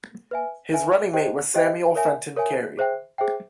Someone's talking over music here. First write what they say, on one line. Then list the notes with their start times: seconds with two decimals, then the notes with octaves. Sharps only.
His running mate was Samuel Fenton Cary.
0.31 B4 E5 G#5
0.73 B4 E5 G#5
1.13 G4 C5 D#5 G5
1.54 G4 C5 D#5 G5
1.95 A#4 C#5 E5 G#5
2.36 A#4 C#5 E5 G#5
2.77 G#4 C5 E5 G5
3.18 G#4 C5 E5 G5